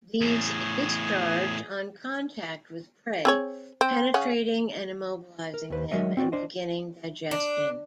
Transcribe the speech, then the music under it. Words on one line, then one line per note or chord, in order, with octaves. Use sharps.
These discharge on contact with prey, penetrating and immobilizing them, and beginning digestion.
E2 A2 G#4
C4 G#4 C#5
C4
C#3 C#4 F#5
A#4
D#2 B4 C5
F#3 G#3 A#4 C#5 D#5 E5
C4 F#4 D5
D4 C5 D#5
D4